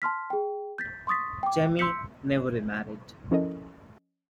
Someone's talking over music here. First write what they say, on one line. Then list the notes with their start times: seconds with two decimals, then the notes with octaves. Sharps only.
Jemy never remarried.
0.02 A5 C6 F6 B6
0.30 G#4 G5
0.78 G6 A6 B6
1.07 C6 C#6 D#6 A6 B6
1.43 G5 D6
1.79 C6 E6 G6 B6 C#7
3.31 F3 C#4 E4 A4 A#4 D#5